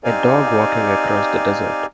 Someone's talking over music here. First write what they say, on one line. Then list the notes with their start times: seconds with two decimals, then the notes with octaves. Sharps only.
A dog walking across the desert.
0.04 C4 D#4 G4 D5 F5 G#5